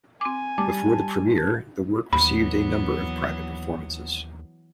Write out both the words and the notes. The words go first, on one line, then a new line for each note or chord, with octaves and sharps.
Before the premiere the work received a number of private performances.
C4 G#5 D6
G3 A5 D6
D#2 E3 F#3 B3 B5